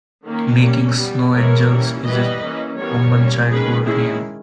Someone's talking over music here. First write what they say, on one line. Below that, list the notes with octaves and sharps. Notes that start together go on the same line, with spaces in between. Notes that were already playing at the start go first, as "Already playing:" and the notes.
Making snow angels is a common childhood game.
D#3 A#3 C#4
G3 A#3 C#4
G3 B3
E3 G#3 B3 A#4 C#5
E3 G3 A#3 C#4
E3 G3 B3 B4 D#5
E3 A#3 C#4
E3 G3 B3 A#4 C#5
G3 A#3 C#4
D#3 G#3 C#4 G#4 B4
D#3 G#3 C#4 E4 G#4